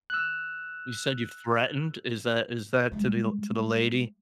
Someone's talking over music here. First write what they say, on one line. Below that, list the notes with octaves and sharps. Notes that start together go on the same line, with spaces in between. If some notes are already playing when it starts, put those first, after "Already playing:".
You said you've threatened, is that is that to the to the lady?
E6 F#6
G3 G#3